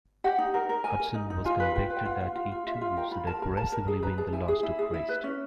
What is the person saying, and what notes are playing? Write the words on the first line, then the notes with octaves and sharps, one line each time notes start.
Hutson was convicted that he too should aggressively win the lost to Christ.
G4 F#5
D#4
A#4
A#4
A#4 G#5
A#4
D#4
D#4
F4 G#5
B4
F4 G5
B4
G5
F4 F#5
F4
F4
F4
F4 E5
F4 F5
A#4 G5
F4 B5
A#4 A5
A#4
A#4 A5
A#4
G#4 A#5
B4 A#5
G#4 A5
E4 G#5
G#4
E4
G#4
E4
B4
C#4